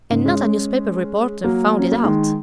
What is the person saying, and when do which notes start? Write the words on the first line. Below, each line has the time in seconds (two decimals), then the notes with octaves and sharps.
And not a newspaper reporter found it out!
0.10 G#2 C#3
0.26 G#3 C#4
1.44 F#3 A#3
1.79 C#4
1.92 A#3
2.04 D#3 G#3